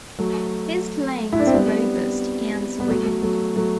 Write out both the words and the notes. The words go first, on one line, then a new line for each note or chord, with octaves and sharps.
His playing was robust and swinging.
F#3 A3
E4
D4
C4
G3 B3
B3
F#3 A3
F#3 A3
F#3 A3
F#3 A3